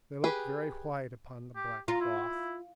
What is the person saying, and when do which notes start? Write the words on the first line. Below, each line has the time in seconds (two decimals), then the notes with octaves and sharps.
They looked very white upon the black cloth!
0.24 G4 G#4 B4
1.56 G4
1.88 F4 A#5
2.01 E4